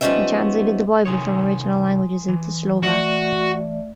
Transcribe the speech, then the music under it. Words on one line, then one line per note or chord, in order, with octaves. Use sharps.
He translated the Bible from original languages into Slovak.
F3 G3 B3 C#4 D#4 E5
C3 D#3 C#5 G#5 C6 D#6
E3
A3 F#4 D5 E5